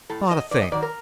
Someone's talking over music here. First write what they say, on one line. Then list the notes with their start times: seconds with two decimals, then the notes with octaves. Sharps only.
Not a thing.
0.10 A2 A4
0.31 F#3 D#5
0.51 C3 D5
0.62 D#5
0.72 D#3 F#3 D5
0.82 A#4